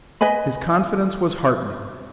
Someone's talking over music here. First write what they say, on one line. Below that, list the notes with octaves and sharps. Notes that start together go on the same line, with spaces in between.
His confidence was heartening.
B4 D#5 G#5 B5